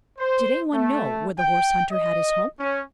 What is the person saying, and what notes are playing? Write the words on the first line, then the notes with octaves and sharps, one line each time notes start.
Did any one know where the horse-hunter had his home?
C5
A3
G5
D#5
C#4